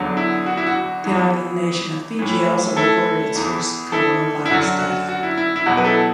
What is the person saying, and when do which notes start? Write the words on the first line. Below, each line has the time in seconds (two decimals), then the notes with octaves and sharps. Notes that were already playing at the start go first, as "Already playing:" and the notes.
The island nation of Fiji also recorded its first coronavirus death.
Already playing: E2 D3 F#3
0.17 E4
0.46 F#4
0.57 E4
0.67 F#4
1.04 E2 E3
2.19 A2 E3
2.77 E4 A4
3.35 E2 E3
3.92 E4 A4
4.45 E4
4.50 F#2 D3 F#3 F#4
4.79 F#4
5.09 F#4
5.23 E4
5.37 E4
5.56 E4
5.66 E2 B2 F#3 F#4
5.77 B4
5.84 E4 A4